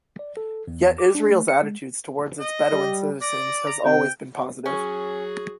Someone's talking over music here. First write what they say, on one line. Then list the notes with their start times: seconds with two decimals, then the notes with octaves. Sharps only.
Yet Israel's attitude towards its Bedouin citizens has always been positive.
0.19 D5
0.37 A4
0.67 E2
0.98 D6
1.15 D4
1.29 A3
1.48 C#7
1.63 G#3
2.40 D#5
2.72 G3
3.22 D5 A#6
3.67 A#5
3.85 C3 G5
4.66 F#3 C#4 F#4 G#4